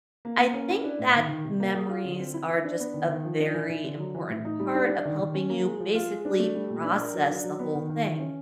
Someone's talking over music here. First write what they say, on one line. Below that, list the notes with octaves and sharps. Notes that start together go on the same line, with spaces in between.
I think that memories are just a very important part of helping you basically process the whole thing.
A#3
A#3
C#4
E4
D4
A2
D#3
D#3
C3
A#3
G#4
F4
D3
C4
E4
E4
D4
B3
D#3
D#3
F3
D4
E3
E3
D3
F#3
E3
A2
D#4
G3
D4
D4
D#3
D#3
C#4
A#3
G#3
F3
F4
G#3
D4
A3
G3
A#2
D4
A#4
F#3
D4
F#3
B3
D#3
D#3
E3
C#4